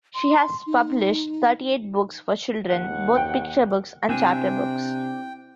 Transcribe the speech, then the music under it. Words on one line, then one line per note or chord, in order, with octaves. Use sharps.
She has published thirty-eight books for children, both picture books and chapter books.
C6
D#4
D#2 F#5
G5
C3 C4 D4 E4 C5 G5 G#5